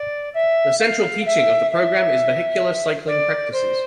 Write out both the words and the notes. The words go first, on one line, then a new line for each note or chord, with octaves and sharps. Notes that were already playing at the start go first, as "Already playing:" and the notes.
The central teaching of the program is vehicular cycling practices.
Already playing: D5
E5
F5
E5
E5
D5
C5